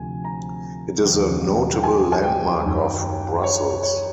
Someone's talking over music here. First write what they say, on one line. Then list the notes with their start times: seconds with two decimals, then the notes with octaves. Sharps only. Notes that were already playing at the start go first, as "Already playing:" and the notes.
It is a notable landmark of Brussels.
Already playing: D2 C3 F3 G#5
0.24 A#5
1.03 D#2 C#3 F3
1.79 G5
1.83 G#5
2.12 G#5
2.24 G5
2.63 F#2 D#3 F#3
3.44 C#5
3.83 C#5